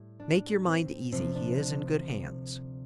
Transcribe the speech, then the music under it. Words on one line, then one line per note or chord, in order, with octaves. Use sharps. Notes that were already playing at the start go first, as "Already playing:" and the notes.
"Make your mind easy, he is in good hands."
Already playing: A2 G3
D4
C4
D2 C3 F3 C4
D4
D4